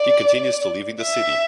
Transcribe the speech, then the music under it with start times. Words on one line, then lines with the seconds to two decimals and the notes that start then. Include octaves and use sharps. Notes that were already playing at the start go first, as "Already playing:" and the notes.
He continues to live in the city.
Already playing: D5
1.02 E5